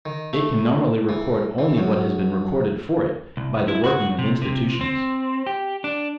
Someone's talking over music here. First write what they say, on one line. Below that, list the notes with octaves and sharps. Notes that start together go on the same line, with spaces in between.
It can normally record only what has been recorded for it by the working of institutions.
D#3
A3
E3
E3
F#2
C2
E4
F#4
C3
C3
C4
G4
D4